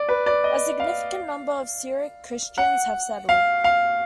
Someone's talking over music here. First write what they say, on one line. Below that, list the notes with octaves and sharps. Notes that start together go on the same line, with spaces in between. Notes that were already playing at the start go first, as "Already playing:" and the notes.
A significant number of Syriac Christians have settled.
Already playing: D5
B4
D5
D#5
F5
F#5
F5
F5